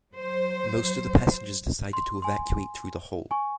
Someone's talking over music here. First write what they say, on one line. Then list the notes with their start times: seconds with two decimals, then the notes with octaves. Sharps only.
Most of the passengers decided to evacuate through the hole.
0.12 F#3 C5
1.93 C6
2.22 G#5 C6
3.31 G#5 C#6